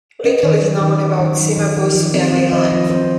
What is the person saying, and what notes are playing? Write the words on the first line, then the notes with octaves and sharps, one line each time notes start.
Little is known about Cimabue's early life.
C#4 D#5
D#3
F#3
D#3
C#4
D#3
F#3
D#3
F3
F3
C4
C4
F3 D#5
F3
C4 C5